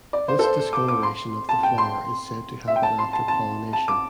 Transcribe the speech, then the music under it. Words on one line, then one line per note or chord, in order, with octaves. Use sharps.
This discoloration of the flower is said to happen after pollination.
D5
C5
A4
C5
D6
D6
C6
A5
G5
C6
E5
G5
A5
C6
A5
A5
A5
D6